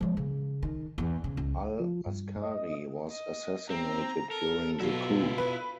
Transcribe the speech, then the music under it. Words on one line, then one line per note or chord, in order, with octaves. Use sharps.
Al-Askari was assassinated during the coup.
F3 G#3
C#3
D#3
E2
C#3
C#2
F3
G2
D#5
D#5
C4 A#5
A4 A#4
B2 F#3 E4 F4
B4